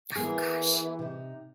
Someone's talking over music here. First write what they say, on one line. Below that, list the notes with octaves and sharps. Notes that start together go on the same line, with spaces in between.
Oh gosh.
E3 A#3 B3 G#4
C3 D#4